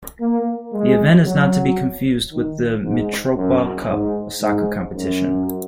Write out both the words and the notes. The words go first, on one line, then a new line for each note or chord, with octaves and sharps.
The event is not to be confused with the Mitropa Cup, a soccer competition.
A#3
G#3
F#3
D#3
G#2
F#2
G#2
G#2
F#2